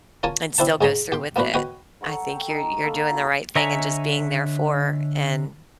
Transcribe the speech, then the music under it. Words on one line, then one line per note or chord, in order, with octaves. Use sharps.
and still goes through with it. I think you're you're doing the right thing and just being there for and
C#4 F4 A#4 C#5 G#5 A5
C4 D4 E4 C5 A5
G#2 C#4 G#4 A#5 C6 D#6
G4 G5 C6
A#3 B3 D4 F#4 B4
F#4 B4 C#5 D#5 G5
A4 C#5 F#5 A#5
G5
D#4 A4 A#5 D#6
A#3 A4 B5 C#6
E4 F#4 A#4 F5
D3 C#5 D#5 E5 G#5 A#5